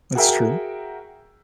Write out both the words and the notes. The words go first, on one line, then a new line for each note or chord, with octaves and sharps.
That's true.
F#4 G#4 A#4 E5 G5